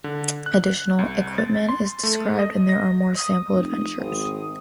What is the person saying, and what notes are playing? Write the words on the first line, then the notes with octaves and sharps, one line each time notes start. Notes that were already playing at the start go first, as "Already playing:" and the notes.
Additional equipment is described and there are more sample adventures.
D3
F#6
C2
A6
C6
A3
D#5
A#6
D#6
F1 D#6
G#1